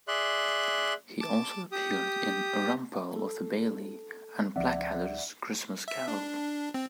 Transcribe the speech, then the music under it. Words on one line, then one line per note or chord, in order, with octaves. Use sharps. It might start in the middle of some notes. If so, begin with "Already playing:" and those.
He also appeared in "Rumpole of the Bailey" and "Blackadder's Christmas Carol".
G#4 D5 E5 C6 F#6
A5 D6
G4 D#6
A4
C#2 F3 C4 D5 E5 F#5
E5
D4
C4